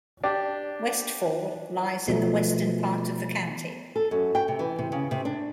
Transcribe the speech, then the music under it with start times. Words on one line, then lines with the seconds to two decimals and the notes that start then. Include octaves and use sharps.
Westfall lies in the Western part of the county.
0.23 D4 G4
2.08 B2 F3 A3
3.96 A4
4.11 F#2
4.35 G5
4.48 C3
4.59 E3
4.79 C3
4.92 C#3
5.11 C3
5.25 D4